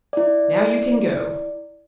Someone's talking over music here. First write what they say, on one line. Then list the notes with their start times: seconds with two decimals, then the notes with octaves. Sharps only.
"Now you can go."
0.13 E4 D5